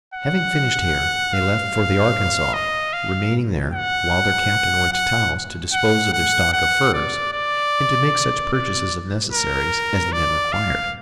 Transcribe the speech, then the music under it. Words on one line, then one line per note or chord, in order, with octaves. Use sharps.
Having finished here, they left for the Arkansas, remaining there while their captain went to Taos to dispose of their stock of furs and to make such purchases of necessaries as the men required.
F#5
F5
D#5
F5
F#5
F#5
F#5
F#5
F#5
D5
D5
D5
A#4
D5
F5